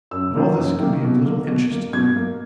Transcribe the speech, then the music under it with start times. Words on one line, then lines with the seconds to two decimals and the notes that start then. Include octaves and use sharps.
But all this can be of little interest to the reader.
0.11 F#2 E6
0.34 D#3 A#3
0.57 F#2
0.80 D#3 A#3
1.03 B2
1.25 A#3
1.48 B2
1.71 A#3
1.93 B2 G#6
2.16 A#3